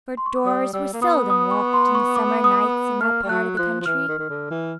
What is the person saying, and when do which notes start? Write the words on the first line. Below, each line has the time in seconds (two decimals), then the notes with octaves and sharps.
For doors were seldom locked in the summer nights in that part of the country.
0.17 C6
0.26 C#6
0.36 D6
0.45 G3 D#6
0.73 G3 E6
0.93 A#3
1.01 B3 D#6
1.30 D#6
1.51 C#6
1.73 C6
1.95 C#6
2.16 D6
2.44 D#6
3.01 A#3 F6
3.23 G3
3.29 F#3 F#6
3.57 F3 F#6
3.80 F3
3.86 E3 F6
4.08 D#3
4.19 D#3
4.29 D3
4.50 E3